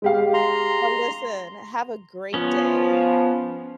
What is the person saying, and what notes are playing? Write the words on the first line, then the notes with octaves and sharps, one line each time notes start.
Well, listen, have a great day.
G#3 G4 F5
A#5 C6
F3 B3 C#4